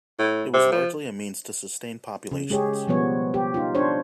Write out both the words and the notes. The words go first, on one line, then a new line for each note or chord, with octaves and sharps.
It was largely a means to sustain populations.
A2
C3
F3
C#3
G#3 G4 G#4 C#5
B2 F3 G3 B3 C#5
G4
D#4 F4
D4 C5 C#5